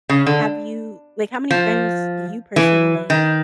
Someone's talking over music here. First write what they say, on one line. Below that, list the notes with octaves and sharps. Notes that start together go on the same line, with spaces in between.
Have you like, how many friends do you personally
C#3
D3
F3
E3
D#3